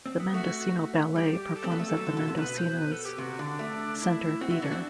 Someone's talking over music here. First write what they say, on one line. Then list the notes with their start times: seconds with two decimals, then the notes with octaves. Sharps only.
The Mendocino Ballet performs at the Mendocino's center theater.
0.06 C4
0.20 B3
0.34 A3 F#4
1.15 G3 G4
1.36 G4
1.56 A4
1.64 C4
1.71 B3
1.79 A3
1.89 G3
1.97 F#3
2.06 D3
2.17 B2
2.28 C3
2.37 B2 B4
2.58 C5
2.78 B4
2.92 A4
3.05 G4
3.18 C3 F#4
3.39 D3 D4
3.59 A3
4.01 E4
4.41 C4 F#4
4.51 E4
4.62 D4
4.72 C4